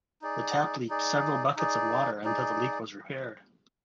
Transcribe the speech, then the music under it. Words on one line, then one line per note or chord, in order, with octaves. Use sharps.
The tap leaked several buckets of water until the leak was repaired.
D#4 G#4 D5
D#4 G#4 D5
D#4 G#4 D5
D#4 G#4 D5